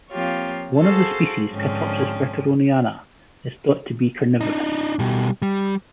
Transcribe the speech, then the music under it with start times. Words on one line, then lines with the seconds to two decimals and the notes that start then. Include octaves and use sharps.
One of the species, "Catopsis berteroniana", is thought to be carnivorous.
0.10 F3 A#3 C4 F4 G4 C#5
0.77 F#4 G#4 A4 C5 F5 A5
1.53 G#2 D3 F3 C4 C#4
4.41 D4 D#4
4.99 B2 G3
5.42 G3